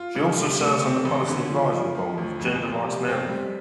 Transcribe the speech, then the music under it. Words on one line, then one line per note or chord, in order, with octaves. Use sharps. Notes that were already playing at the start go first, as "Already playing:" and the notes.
She also serves on the Policy Advisory Board of Gender Rights Maryland.
Already playing: F4
C2
C3
A3
C4
A1
D3
F3
F3
F3
D2
F2
F1
C3
C4
G3